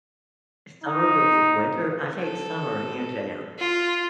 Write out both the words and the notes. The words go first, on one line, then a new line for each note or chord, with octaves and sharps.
Summer versus winter, I take summer hands down,
D#4
A4
F4